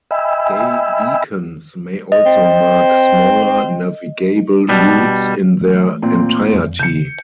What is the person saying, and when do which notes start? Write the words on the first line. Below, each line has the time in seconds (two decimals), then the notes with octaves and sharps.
Day beacons may also mark smaller navigable routes in their entirety.
0.11 D#5 E5 G5 G#5 B5 E6
2.12 D#5
2.26 C4
4.69 B2 G3 D4
5.61 E3 G#3 A3
6.02 A#2 C4
6.53 F2
6.79 C#3 G6 C#7